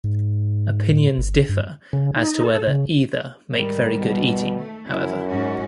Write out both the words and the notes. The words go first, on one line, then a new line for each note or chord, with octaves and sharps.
Opinions differ as to whether either make very good eating, however.
G#2
A2
G1
G2
C#3
D#4
A4
C#3
G#2 D#3 G3 A#4
B2
A3
F#2 E4
G#2 C#4 F#4